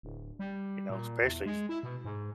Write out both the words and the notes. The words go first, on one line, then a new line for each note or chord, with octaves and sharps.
You know, especially s
D1
G3
A#2
E2
G#3
E4
B2
G#2